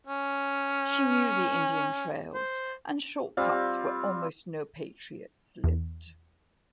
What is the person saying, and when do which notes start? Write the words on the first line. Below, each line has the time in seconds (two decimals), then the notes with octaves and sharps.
She knew the Indian trails and shortcuts where almost no patriots lived.
0.07 C#4
2.34 C5
3.37 G3 C4 F4
5.64 E2